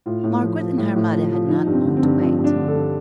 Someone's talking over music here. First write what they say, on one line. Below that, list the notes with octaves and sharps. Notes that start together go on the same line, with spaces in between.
Margaret and her mother had not long to wait.
A2 F4
A2
F3
F3
A2
A2
F3
F3
F3 D#4
G2
C4
D3
C4
G2
F3 C4
G2
D4
D3
A4
G2